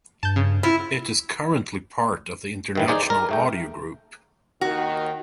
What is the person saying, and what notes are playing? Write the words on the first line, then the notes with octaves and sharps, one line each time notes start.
It is currently part of the International Audio Group.
G2 A5 G6
C#3
E4 F4
G2 D#3 E3
D#4 G#4 C5 D5
A#4
G#2 A3 G5
D#2 D#3 F#4